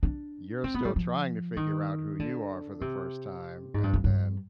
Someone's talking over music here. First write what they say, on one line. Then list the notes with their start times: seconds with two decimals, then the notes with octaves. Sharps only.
you're still trying to figure out who you are for the first time, and then
0.03 D4
0.64 C4
0.74 B3
0.85 G3
0.96 F3
1.57 D#3
2.20 D3
2.81 C3
3.74 G#2
3.83 G2
3.94 F2
4.04 G2